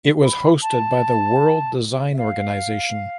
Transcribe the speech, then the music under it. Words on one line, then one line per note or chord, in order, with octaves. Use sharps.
It was hosted by the World Design Organization.
B5
A5
E5
F5